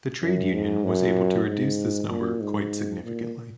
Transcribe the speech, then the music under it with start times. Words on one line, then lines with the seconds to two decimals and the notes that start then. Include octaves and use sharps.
The trade union was able to reduce this number quite significantly.
0.22 F#2
0.53 G#2
0.84 F#2
1.47 G#2
2.09 A#2
2.40 G#2
3.04 A#2